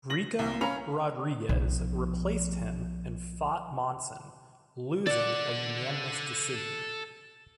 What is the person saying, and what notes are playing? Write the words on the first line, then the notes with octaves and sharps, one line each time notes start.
Ricco Rodriguez replaced him and fought Monson, losing a unanimous decision.
A#6 F#7
C2
C#4 F5 A#5 B5 F7
B1 F3
A4 D5 F#5